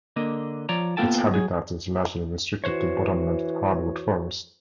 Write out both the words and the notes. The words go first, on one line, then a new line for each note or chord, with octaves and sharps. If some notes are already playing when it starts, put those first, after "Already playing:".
Its habitat is largely restricted to bottomland hardwood forest.
D3 A#3 D#5
F3 C#5 D5 A#5
A#3 B3 F4 A4 G5 A5
F#3 G#4
E3 F#4 C5 C#5